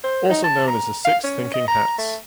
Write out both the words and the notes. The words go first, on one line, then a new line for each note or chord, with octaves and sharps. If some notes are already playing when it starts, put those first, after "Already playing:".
Also known as the Six Thinking Hats.
C5
D#4
A5
A#5
F5
C#4
D#5
A#5
A3